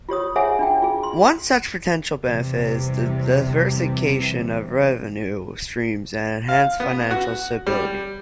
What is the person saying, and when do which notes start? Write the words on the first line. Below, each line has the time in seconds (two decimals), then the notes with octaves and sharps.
One such potential benefit is the diversification of revenue streams and enhanced financial stability.
0.09 F4 G4 C#5 D#6
0.36 G#4 C#5 E5 F#5 G#5
0.59 D4 F4 G5
0.82 F4 G#4
1.03 C6
2.25 E2 C3 E3 G3
6.49 F5
6.80 B3
7.11 F#4
7.67 G3